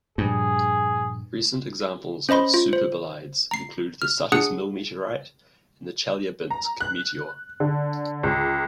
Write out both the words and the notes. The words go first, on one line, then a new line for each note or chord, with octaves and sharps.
Recent examples of superbolides include the Sutter's Mill meteorite and the Chelyabinsk meteor.
G2 A#2 F3 G#4
C#4 C5 D#5 B5 C6
F4
C5
A#5 C7
F6
D4 G#4 F#5 D#6 F#6 C#7
A#5
F#6
D3
C#2